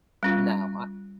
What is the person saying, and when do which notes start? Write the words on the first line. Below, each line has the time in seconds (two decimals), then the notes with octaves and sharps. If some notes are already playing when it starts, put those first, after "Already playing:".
No, I
0.23 G3 C#4 F4